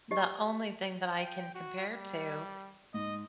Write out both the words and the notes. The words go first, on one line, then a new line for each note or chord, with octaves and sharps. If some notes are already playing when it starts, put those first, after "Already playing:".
the only thing that I can compare to
G4 D#5
G5
F#4
G3
G#2 D#5